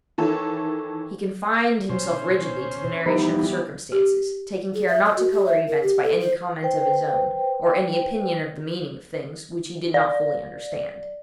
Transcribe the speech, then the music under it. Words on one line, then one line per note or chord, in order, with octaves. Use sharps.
He confined himself rigidly to the narration of circumstances, taking care not to colour events by any comment of his own, or any opinion of the meaning of things which he did not fully understand.
D#3 E3 A4 C#5
B2 C#4 C5
E3 F3 G3 B3 D#4 E4
G4
G#4
E5
D#5
F#4
G4
E5
A#4
G4
A4
C5
B4 C5 G5
D5